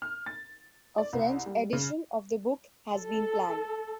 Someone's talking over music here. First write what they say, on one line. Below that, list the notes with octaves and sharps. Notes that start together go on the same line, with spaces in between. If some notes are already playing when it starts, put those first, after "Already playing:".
A French edition of the book has been planned.
F6
A6
D5
C2
G3
C#3
A4